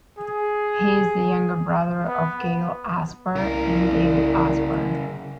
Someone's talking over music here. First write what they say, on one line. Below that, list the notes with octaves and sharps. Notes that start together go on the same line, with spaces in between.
He is the younger brother of Gail Asper and David Asper.
G#4
B3
C2 C#3 A#4